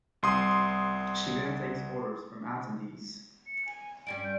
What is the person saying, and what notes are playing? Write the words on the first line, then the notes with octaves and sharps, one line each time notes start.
She then takes orders from attendees.
C2 C6 D#6
C#7
G#5
G2 G3 C#4 D7
G6